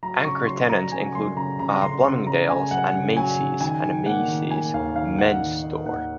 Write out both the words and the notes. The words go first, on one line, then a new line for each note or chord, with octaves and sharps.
Anchor tenants include Bloomingdale's and Macy's, and a Macy's mens store.
F#3 A#5
C#3 C#6
F#3 C6
F#3 A#5
C#3 G#5
F#2 C6
C#3 A#5
C#3 A#5
C#3 C6
C#3 C6
C#3 A#5
C#3 G#5
F#2 F#5
C#3
F#3 G#5
C#3
D#3 G#5
D#3
A#3 F#5
D#3
A#3 G#5
D#2 F5
D#3 F5
D#4 F#5
D#3
D#4
D#2 F#5